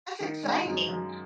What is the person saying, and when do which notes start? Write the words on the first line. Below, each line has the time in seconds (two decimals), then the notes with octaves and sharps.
That's exciting.
0.20 D#3
0.43 G#3
0.66 F#2
0.89 F#2